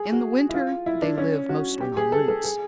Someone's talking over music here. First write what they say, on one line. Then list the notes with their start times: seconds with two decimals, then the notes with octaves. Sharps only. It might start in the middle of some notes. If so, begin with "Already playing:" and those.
In the winter they live mostly on roots.
Already playing: G#4
0.12 F#4
0.49 E4
0.54 F4
0.86 E4
1.02 D4
1.18 C#4
1.49 F#4
1.81 G4
1.97 G#4
2.12 A4
2.28 A4
2.44 G#4